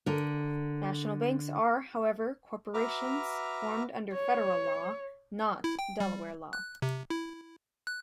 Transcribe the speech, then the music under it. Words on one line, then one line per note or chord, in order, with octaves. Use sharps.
National banks are, however, corporations formed under federal law, not Delaware law.
D3 A#4
F#4 B4 E5 A#5 D6 F6
C#5
E4
G5
G3
F#6
C3
E4
F#6